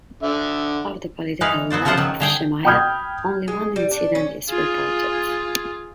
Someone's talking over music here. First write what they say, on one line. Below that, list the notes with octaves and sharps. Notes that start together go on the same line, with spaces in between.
Of the political life of Shemaiah only one incident is reported.
D3 E5
E3 G#3 D#4 B4 F5
F#3 B3 C5 D5
C#3 F3 A3 F4 C5 F#5
D#3 F#3
D3 G#4 G5
G5 B5 D#6 F6 G6 G#6
G#3
G3
D4
C#4
F4 G#4